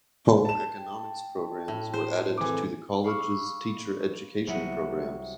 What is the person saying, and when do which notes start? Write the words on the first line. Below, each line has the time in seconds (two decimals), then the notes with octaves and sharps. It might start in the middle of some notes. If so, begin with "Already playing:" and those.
Home economics programs were added to the college's teacher education programs.
0.45 A5 E7
0.78 G5
1.68 A2
1.94 C5
2.38 E3 C4 G#4 A4 D6
3.04 F5 B5 C#6 D6 E6 F6
4.47 C2 F#3 E5 F#5 B6 D#7